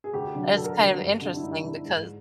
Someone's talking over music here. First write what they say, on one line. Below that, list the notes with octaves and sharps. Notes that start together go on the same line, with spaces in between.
and it's kind of interesting because
G#4
D2 G4
D3 F#3
D2 A4
A#4
A4
D3 F#3
G2
D3 G3
E4
G2 D#4
D3 G3
G#2